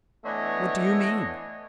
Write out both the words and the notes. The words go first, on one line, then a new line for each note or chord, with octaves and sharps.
"What do you mean?"
E3 A3 B3 D4 C#5 D#5